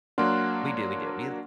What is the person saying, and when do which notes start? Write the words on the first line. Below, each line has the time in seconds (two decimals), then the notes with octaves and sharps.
We do, we do. We've
0.18 F#3 A#3 D4 F5 F#5 C6